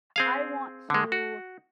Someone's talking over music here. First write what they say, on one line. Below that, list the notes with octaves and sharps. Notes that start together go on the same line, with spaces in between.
I want to
C4 G#4 F5
D3 G#3
F#4